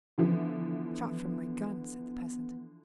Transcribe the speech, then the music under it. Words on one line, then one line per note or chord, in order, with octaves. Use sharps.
"A shot from my gun!" said the peasant.
D3 E3 F3 B3